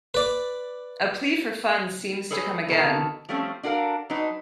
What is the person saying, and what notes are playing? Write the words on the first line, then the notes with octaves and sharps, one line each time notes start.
A plea for funds seems to come again.
B4 D5
G#4 A4 B4 C#5 G#5
B2 D#3 A4 A#4
F3 G3 A3 C4 C#4
D4 F#4 A4 A#4 F5
F#3 D4 D#4 B4